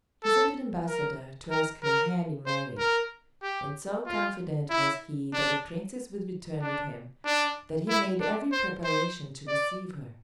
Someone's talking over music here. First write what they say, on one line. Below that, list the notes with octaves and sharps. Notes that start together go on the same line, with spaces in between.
He sent an ambassador to ask her hand in marriage; and so confident was he that the Princess would return with him, that he made every preparation to receive her.
A4
A#4
A#4
A#4
C5
A#4
G4
F4
E4
D4
D4
D4
E4
D4
C5
C5
D5